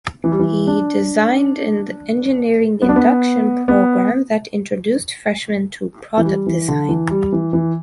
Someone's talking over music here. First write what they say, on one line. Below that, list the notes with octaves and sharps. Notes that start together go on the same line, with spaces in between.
He design an engineering induction program that introduced freshmen to product design.
E3
G3
E3
D4
B3
D4
B3
B3
E3
G3
E3
D3
E3
G3
E3
E3